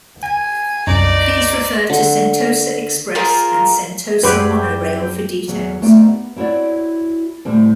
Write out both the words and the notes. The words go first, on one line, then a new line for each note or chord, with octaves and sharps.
Please refer to Sentosa Express and Sentosa Monorail for details.
G#5
C2 F#2 D#4 D5
D3 C6
F4 G#4 A#4 C5
F#2 C4 G4 G#4 B4 D5 G5
E2 F#3 G#4
A3 B3 C4 D4 D#4 G4
B3
C4 E4 F#4 C#5 D5
A2 D3 G3 C4